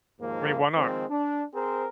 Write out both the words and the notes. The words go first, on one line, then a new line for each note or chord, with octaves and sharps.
I mean, why not?
D#2 G#2 F3 A#3
D#3 F3 G#3 C4
D4
C4 G#4 A#4 C5